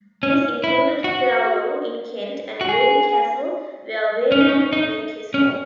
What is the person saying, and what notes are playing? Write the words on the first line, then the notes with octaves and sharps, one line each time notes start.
These included Fairlawn in Kent, and Raby Castle, where Vane would make his home.
C#4
E4
F#4
F#4
G#4
C#4
D#4
C#4
D#4
C#4